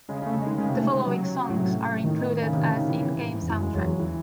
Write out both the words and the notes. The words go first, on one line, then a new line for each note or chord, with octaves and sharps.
The following songs are included as in-game soundtrack.
C#3 G#3
C#3
A3
C#3
D#3 G#3
C#3 G#3
C3
C#3 A3
G#3
F#3
A2
C3
A2 D#3
C#3
C3
C#3
D#3
E3
C#3
A2
G#2
E2
F#2 E3
G#3
E2 F#3
E3
E3